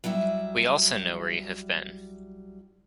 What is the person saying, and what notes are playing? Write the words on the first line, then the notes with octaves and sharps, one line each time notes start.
We also know where you have been.
F#3 G3 E4 E5